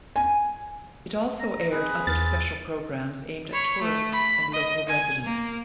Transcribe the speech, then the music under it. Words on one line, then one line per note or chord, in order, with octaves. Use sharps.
It also aired other special programs aimed at tourists and local residents.
G#5
A#5 A#6
C4 G#4 B4 F#6
E2 F6 A6
C#5 B5
A3
B5
D#5
G#5
A#3 A#4